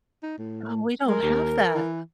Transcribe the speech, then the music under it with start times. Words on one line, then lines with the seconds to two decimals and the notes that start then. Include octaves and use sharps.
Oh, we don't have that.
0.23 D#4
0.38 A2
1.07 G#3 A#4
1.22 D#2
1.74 E3